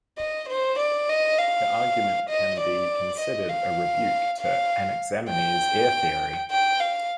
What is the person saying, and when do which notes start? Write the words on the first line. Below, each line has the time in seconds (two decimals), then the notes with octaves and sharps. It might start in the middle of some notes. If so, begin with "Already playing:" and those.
The argument can be considered a rebuke to Anaximenes' air theory.
0.18 D#5
0.49 C5
0.79 D5
1.09 D#5
1.38 F5
2.29 D#5
2.60 D5
3.20 D#5
3.49 F5
4.40 F5
5.30 G5
6.51 G5
6.80 F5